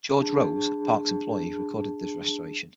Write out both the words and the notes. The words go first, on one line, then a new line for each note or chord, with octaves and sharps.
George Rose, a parks employee recorded this restoration.
D4 G#4 A5